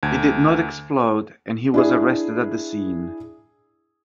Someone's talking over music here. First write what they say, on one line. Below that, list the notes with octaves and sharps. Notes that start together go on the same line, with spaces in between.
It did not explode and he was arrested at the scene.
D2 A5 G#6
D4 E4 G#4